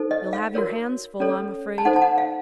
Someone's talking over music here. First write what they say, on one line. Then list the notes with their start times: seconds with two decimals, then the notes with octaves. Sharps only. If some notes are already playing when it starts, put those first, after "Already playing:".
You'll have your hands full, I'm afraid.
Already playing: D#4 A4 C5
0.11 D#5
0.33 F5
0.55 F#4 A#4 C#5
1.20 C#4 A4 C#5
1.78 A5
1.85 D#4 A4 C5 F#5
1.96 A5
2.02 F#5
2.18 F5